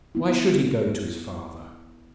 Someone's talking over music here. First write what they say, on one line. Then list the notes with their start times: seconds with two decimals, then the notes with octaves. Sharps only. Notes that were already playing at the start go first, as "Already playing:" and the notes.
Why should he go to his father?
0.15 B3 E4